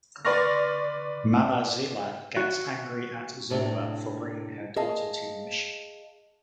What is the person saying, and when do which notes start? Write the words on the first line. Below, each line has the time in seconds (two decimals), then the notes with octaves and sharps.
Mama Zila gets angry at Zola for bringing her daughter to the mission.
0.25 B4 D5 C6 C#6 F6 A#6
2.36 F#4
3.50 A2 C3 D4
4.76 G#4 D#5 F5 A5